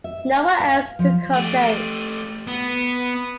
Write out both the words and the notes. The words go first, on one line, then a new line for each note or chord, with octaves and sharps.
No one else took her place.
E5
F5
F3
A3 G4
B3